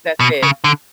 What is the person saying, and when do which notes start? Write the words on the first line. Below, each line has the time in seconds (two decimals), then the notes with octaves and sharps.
that's it."
0.20 B2
0.43 C#3
0.64 D3